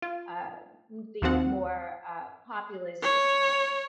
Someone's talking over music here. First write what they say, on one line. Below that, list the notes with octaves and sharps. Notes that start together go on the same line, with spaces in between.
uh, mm, the more, uh, populist, uh,
F4
D#2 F3 C4 F#5
C#5